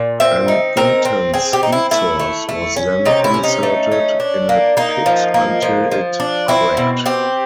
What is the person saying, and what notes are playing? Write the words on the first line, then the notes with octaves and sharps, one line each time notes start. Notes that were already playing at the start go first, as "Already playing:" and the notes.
An intense heat source was then inserted in a pit until it cracked.
Already playing: A#2
C4 E5
D#4
C4 A#4
C4
C4 G#4
G4
D#4
E4
A3 E4
A3
A3
C#4
C3 D#4
E4
C#4
D#4
A3
C#4
D4
A#3
A#3 D#4
F3
A#3
F3
F3
D4
C4 E4
B2
C4 G4